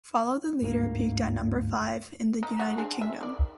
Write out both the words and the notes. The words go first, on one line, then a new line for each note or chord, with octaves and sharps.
"Follow the Leader" peaked at number five in the United Kingdom.
G1 D2 G#2 A#3
D#4
A3 F#4
C4 D4 G#4
E5
D#3 D5